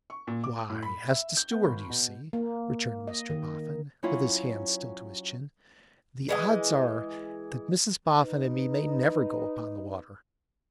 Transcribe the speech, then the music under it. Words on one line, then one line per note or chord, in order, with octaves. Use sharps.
'Why, as to Steward, you see,' returned Mr Boffin, with his hand still to his chin, 'the odds are that Mrs Boffin and me may never go upon the water.
C#6
A#2
D6
A2
B5
E5
G6
B3
G#1
B2
A#3
D#5
D#3
F#3 C#4 E4 F4 C#5
E3 G#3 D#5
D#4 B4